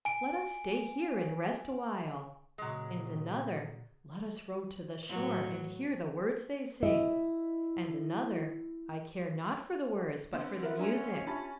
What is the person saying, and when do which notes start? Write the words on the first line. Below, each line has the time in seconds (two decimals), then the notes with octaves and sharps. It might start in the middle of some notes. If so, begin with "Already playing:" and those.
Let us stay here and rest awhile." And another, "Let us row to the shore, and hear the words they sing." And another, "I care not for the words, but for the music.
0.05 G#5 D7
2.58 A#2 C#3 F#3 G#3
5.09 A2 F#3
6.83 E4 D#5 E5
10.33 D3 B3 C4
10.63 A#4 B4 E5
10.79 C#4 D4 D5 A#5
11.27 D4 F4 G4 E5 A5 B5